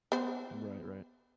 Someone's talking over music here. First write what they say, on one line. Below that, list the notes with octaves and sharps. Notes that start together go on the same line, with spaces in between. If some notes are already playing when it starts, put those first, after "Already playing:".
Right, right.
B3 C5